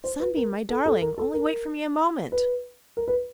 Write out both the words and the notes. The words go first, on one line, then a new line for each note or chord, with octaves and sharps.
'Sunbeam, my darling--only wait for me a moment.'
C5
B4
A#4
A4
A4
A#4
A4
A#4
B4
A#4
B4